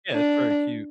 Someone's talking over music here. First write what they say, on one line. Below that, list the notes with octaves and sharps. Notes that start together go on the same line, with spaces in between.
Yeah, it's very cute.
D4